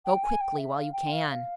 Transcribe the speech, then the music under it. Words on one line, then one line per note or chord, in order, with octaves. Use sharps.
"Go quickly, while you can!"
G5
G#5
G5
E5
F5
G5
F5
F5